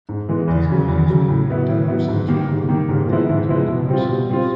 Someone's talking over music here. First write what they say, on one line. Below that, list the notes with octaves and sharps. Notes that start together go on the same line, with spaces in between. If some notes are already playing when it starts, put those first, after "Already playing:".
These were used between Rotterdam Centraal and Vlaardingen during the rush hours.
G#2
E3 G#3 B3
E2
C#3 F#3
E2
C#3 F#3
A2
F#3 B3 E4
A2
F#3 B3 E4
G#2
D#3 G3 A#3
G#2
D#3 G3 A#3
G#2
F3 G#3 B3 E4
G#2
F3 G#3 B3 E4
B2
G3 C4 F4
B2
G3 C4 F4